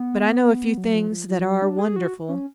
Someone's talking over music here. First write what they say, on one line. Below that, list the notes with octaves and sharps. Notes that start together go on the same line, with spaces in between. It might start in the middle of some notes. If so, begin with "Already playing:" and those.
But I know a few things that are wonderful.
Already playing: B3
F#3
F3
F3
F3
F#3
D4
G#4
F#4
C#4